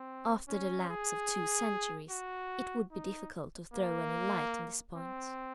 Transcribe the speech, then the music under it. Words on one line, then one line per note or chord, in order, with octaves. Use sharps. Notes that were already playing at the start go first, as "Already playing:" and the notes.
After the lapse of two centuries, it would be difficult to throw any light on this point.
Already playing: C4
C#4
G#4
F#4
D#4
A#3
C4